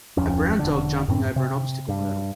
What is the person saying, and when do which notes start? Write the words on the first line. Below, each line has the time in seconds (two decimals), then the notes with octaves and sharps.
A brown dog jumping over an obstacle hurdle.
0.17 D1 G#1 F2 C#4
0.59 E1 D3
1.08 F#2 A2 C4
1.36 C3
1.89 G2